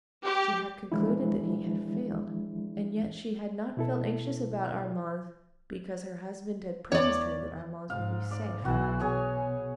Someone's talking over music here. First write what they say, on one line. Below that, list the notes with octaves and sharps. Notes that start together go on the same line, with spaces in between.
She had concluded that he had failed, and yet, she had not felt anxious about Armand, because her husband had promised her that Armand would be safe.
G4
E3 F3 G#3 D4 E4
B2 E4 A4
E2 C#5 D5
G#2 F5
D5
B1 E3 F#4
B2 G#4 C#5 G#5